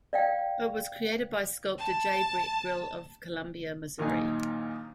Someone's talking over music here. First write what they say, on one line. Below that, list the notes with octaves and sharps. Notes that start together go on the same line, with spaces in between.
It was created by sculptor J. Brett Grill of Columbia, Mo.
D5 F5 G5
A5
A#1 A#2 D#3 F#3 D#4 G#5